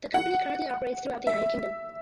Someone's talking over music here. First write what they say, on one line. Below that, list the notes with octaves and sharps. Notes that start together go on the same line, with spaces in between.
The company currently operates throughout the United Kingdom.
F#5
E5